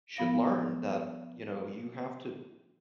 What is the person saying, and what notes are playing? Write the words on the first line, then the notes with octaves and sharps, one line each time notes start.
should learn, that, you know, you have to
F3 B3 F5 A#6